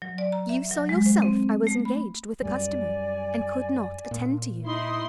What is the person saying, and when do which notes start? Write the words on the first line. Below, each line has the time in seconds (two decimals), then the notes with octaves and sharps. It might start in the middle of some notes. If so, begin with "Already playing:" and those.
"You saw yourself I was engaged with a customer, and could not attend to you."
0.02 F#3
0.18 D5
0.32 A#5
0.49 E5
0.71 F#3
0.89 G#3
1.06 C5
1.22 C4
1.67 A3
1.85 B5
2.42 F#2 G3 D5 G#5
4.11 A#2
4.65 D#4 E4 C6 D#6